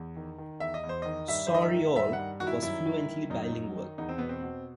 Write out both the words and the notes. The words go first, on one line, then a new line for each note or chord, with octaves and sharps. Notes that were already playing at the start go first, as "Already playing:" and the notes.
Sauriol was fluently bilingual.
Already playing: E2
D#3
D#3
E2 E5
D#5
E2
C5
D#3 D#5
G2 E5
C5
D#3 D#5
E5
D#3
G2 E5
F#5
G2
D#3 F#4
E4
F#2 E4
D#3
D#3
F#2 D#4
F#2
D#3
E2 D#4
C4
B2 B3
C4
B2